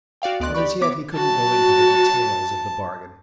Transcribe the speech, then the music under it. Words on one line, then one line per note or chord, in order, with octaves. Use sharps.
But as yet he couldn't go into the details of the bargain.
F#4 D5 F5 G5
D2 B3 D5 D#5 C6 F#6
G4 D5 B5 C#6
B3 C#5 B5 D6 B6
F#3 F#4 A5